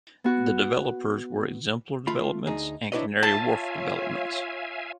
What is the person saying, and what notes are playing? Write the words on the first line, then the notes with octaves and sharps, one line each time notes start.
The developers were Exemplar Developments and Canary Wharf Developments.
B3 F#4
A3 F4 B5
D2 D#4 G#4
C2 D4 E4 B4 C#5 D#5
F4 C#5 E5 F5 G#5 A5